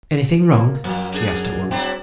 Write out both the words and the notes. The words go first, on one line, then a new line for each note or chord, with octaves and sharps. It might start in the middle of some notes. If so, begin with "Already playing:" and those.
"Anything wrong?" she asked at once.
A#3
F#2 F3 A#3
A#3 D4 G#4
F#3 C4 D4 E4